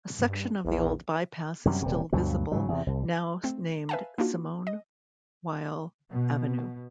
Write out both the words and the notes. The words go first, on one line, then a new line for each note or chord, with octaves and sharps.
A section of the old bypass is still visible now named Simone Weil Avenue.
G2
A#1 E2
F#2 C3 G3
D#1 C3
D2 G2 B2 F#3
G#2 C#3 F#3
E2 C3
C2
A3 C4
B4 E5 F5 G#5 A5
A#3 D4 D#4 F4 F#4
D#5
B2